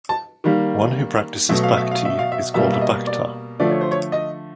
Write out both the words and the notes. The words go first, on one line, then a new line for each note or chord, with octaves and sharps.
One who practices "bhakti" is called a "bhakta".
A5
D#3 G3 A#3
B2 F#3 A3 E5
F5
E5
F5
E5
F5
E5
B2 G3 A#3 E5
E5
D#5
D5
D3 F3 A3 D5
C#5
C5
C#5
D#5